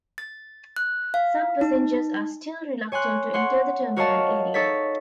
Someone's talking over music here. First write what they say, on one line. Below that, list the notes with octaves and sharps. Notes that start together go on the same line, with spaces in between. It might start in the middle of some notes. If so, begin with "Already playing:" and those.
Some passengers are still reluctant to enter the terminal area.
A6
F#6
F5
D#4
C#5 G#5 C6 F#6
C#5 F#5 C6
F#4 A#4 C#5 D#5 F5 A5
D#4 A4 C#5 A6 B6